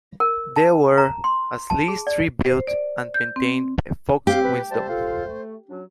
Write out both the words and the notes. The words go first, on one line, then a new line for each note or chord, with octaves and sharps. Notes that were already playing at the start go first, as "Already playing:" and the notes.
There were as least three built and maintained by Fox-Wisdom.
A#4
A5
A#5
C6
A5
G#4
D5
C5
D5
G6
C4
C4 G4 F5
B4
G3 C5 E5 A5
F4 A4 F5
A3
F#3 C#4 D4